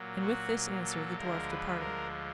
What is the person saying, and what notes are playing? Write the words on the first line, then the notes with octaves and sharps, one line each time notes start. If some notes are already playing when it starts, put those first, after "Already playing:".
And with this answer the dwarf departed.
Already playing: A#2 F#3
F#4
A4
D2 D3 F3 G#3 A#4
B4
A#4